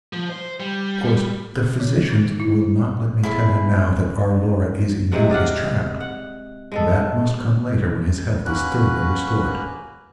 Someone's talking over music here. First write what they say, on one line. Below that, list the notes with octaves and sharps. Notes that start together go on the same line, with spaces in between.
Of course the physicians will not let me tell him now that our Laura is indeed his child--that must come later, when his health is thoroughly restored.
F3
C5
G3
D#3
D#4
E4
B3 E4 G#4 C#5 C6
C3 F#3 G#3 F#5
G#4 D5 F5 F#5
F#5
G#3 B3 A4
A#3 C#4 F#4 B4 F#6